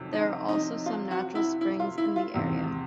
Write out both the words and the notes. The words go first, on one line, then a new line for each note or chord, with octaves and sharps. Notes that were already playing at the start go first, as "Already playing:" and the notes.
There are also some natural springs in the area.
Already playing: F2 C3 D#3 F#3
D#4
D#4
F4
F#4
E4
E4
F4
E4
F4
E2 C3 D#3